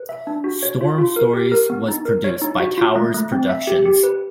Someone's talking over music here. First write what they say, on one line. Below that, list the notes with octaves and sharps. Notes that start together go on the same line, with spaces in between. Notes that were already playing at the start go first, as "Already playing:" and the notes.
"Storm Stories" was produced by Towers Productions.
Already playing: B4
E5
D4
F#4
C#5
F4
F4
A#4
G4
A#4
B3
D#4
A#4
C#5
D#4
F#4
F4
A3
A3
C4
E5
G4
G4
B4